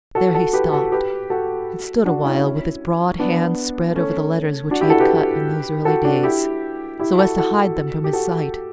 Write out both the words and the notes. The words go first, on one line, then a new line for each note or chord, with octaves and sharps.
There he stopped and stood a while with his broad hand spread over the letters which he had cut in those early days, so as to hide them from his sight.
F#4 A4
F#4 A4
G4 B4
F#4 A4
G4 B4
F#4 A4
D4 F#4
C#4 E4
B3 D4
A3 C#4
D4 F#4
E4 G4
F#4 A4
G4 B4
F#4 A4
D4 F#4
E4 G4
E4 G4
F#4 A4
F#4 A4
G4
F#4 A4